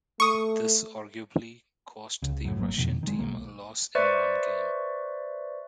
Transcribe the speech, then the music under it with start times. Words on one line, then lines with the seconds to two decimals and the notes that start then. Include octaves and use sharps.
This arguably cost the Russian team a loss in one game.
0.20 A3 C#6 D#6
2.22 C#2
2.45 F#2 A2
2.57 G#1 F#3 A#3
2.78 F2 B2 D#3
3.03 D#3 G#3
3.19 B1 A#3
3.95 B4 C5 D5 E5 C#6